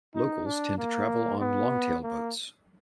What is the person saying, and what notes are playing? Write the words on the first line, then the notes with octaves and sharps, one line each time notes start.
Locals tend to travel on longtail boats.
D#4
D4
A#3
B3
A#3